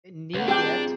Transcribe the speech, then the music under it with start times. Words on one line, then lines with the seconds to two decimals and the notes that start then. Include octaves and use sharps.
need it
0.34 C#2 B4 F#5
0.48 C4 D4 F4 G4 G#4 G5